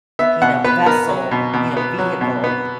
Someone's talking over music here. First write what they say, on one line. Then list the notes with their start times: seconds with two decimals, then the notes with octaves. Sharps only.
you know, vessel, you know, vehicle,
0.19 B3 E5
0.42 B2 F#5
0.64 B3 B4
0.86 B3 A#4
1.09 F#3
1.31 B2
1.54 B2
1.77 B3
1.98 F#3
2.21 B2
2.44 B3